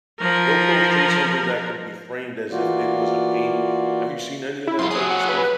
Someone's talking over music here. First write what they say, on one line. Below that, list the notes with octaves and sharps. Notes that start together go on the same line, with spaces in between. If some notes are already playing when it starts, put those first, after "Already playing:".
they'll crochet something that could be framed as if it was a painting. Have you seen any of that type of stuff?
F3 A#4
E3 A#3 F4 F#4 D5
E4
F#2 F4 C6
F#3 G#4 D#6
F#5
B4
B4